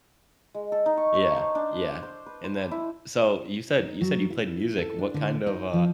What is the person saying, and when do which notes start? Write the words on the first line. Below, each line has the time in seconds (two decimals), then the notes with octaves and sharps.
Yeah, yeah. And then So, you said you said you played music, what kind of, uh
0.54 G#3
0.72 A4
0.86 D#4
0.97 C#6
1.15 C#5
1.36 C5
1.55 D4
2.03 C5
2.26 B4
2.44 C5
2.71 E4
3.79 D#4
4.01 F#3
4.30 E4
4.78 A4
4.99 D4
5.14 D3
5.47 D#4
5.73 F3